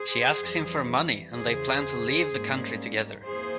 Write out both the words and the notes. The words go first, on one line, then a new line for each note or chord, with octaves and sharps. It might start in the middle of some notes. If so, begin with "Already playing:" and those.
She asks him for money and they plan to leave the country together.
Already playing: G#4 C5
F2 E3 G3
E2 C#3 E3 G#4 C5
G#2 G3 A#3 C#4
F2 E3 A#3 G#4 C5